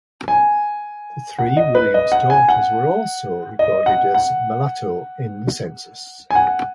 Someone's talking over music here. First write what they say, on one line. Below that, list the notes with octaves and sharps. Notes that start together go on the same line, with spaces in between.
The three Williams daughters were also recorded as Mulatto in the Census.
G#5
F#5
D#5
B4
D#5
F#5
G#5
F#5
D#5
F#5
F#5
G#5
F#5